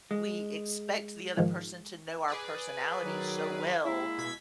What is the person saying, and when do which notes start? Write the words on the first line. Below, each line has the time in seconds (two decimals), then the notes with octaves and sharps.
we expect the other person to know our personality so well,
0.11 G#3
1.37 G#2 D#3 F3
2.28 G#4 B4 D5
3.03 D#3 F#3
3.85 G#3 A#3 E4
4.18 B2 G#6 B6